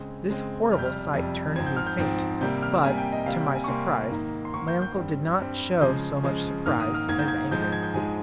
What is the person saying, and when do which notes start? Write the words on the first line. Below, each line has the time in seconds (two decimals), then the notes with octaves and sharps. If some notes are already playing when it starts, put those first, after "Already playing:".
This horrible sight turned me faint, but, to my surprise, my uncle did not show so much surprise as anger.
Already playing: C#3 G#3 C4
0.28 C#3 G#3 C4
0.70 F2 C3 G3 F6
0.79 G6
0.85 F6
1.13 F2 C3 G3
1.56 G#2 F3 C4 G#6
1.66 G6
1.77 F6
1.87 G6
1.99 G#2 F3 C4
2.41 C3 G3 A#3 G6
2.63 F6
2.83 C3 G3 A#3 G#5
2.98 G5
3.12 D#5
3.26 C3 G3 A#3 F5
3.40 G5
3.55 G#5
3.64 C#6
3.68 C3 G3 A#3 C6
4.11 G#2 D#3 A#3
4.45 C6
4.54 G#2 D#3 A#3 C#6
4.68 G6
4.82 G6
4.96 G2 G3 C4
5.39 G2 G3 C4
5.81 C#3 F3 G#3 G6
6.24 C#3 F3 G#3
6.66 G#2 D#3 A#3 F6
6.80 D#6
6.94 F6
7.08 G#2 D#3 A#3 G#6
7.18 G6
7.28 G#6
7.51 G#2 F3 G#3 G6
7.62 G6
7.72 G#6
7.83 G6
7.94 G#2 F3 G#3 G#5